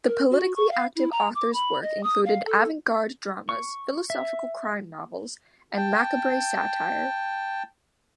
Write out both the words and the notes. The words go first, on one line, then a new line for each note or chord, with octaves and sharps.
The politically active author's work included avant-garde dramas, philosophical crime novels, and macabre satire.
A#4
F#4
C#6
F5
E4
A#5
D6
B5
D#5
D#6
F5
A4
C#6
E5
G5 A5